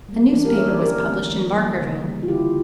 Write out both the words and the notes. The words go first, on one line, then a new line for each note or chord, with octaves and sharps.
A newspaper was published in Barkerville.
G3 A#3
C#4
E3 A#3 D4
G4 A#4
G3 A#3 C#5 E5
A#4 D5
D3 G4 A#4
A3
E3
G3 A#3
C#3
G3 A#3
F4
D3 E4 G4